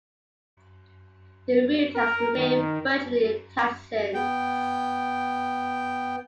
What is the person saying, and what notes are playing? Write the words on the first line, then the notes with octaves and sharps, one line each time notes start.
The route has remained virtually intact since.
A#4
D#3
B3 G5